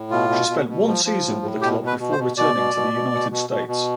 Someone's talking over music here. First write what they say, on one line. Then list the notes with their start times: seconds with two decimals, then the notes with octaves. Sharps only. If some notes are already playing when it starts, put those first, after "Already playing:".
She spent one season with the club before returning to the United States.
Already playing: A2
0.11 B2 F4
0.30 B2
0.49 B2
0.68 B2
0.87 F3
1.05 F3
1.25 A2
1.42 A2
1.61 B2 G4
1.80 B2
1.87 B4
1.99 B2
2.12 C5
2.18 B2
2.37 B2 D5
2.55 B2
2.75 B2
2.93 B2
3.12 B2
3.31 B2
3.49 B2
3.68 B2